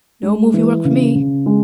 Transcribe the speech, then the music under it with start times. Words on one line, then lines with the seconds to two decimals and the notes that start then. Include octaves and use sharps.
No movie work for me!
0.23 G#3
0.54 E3
0.85 C#3
1.15 C#3
1.46 G#3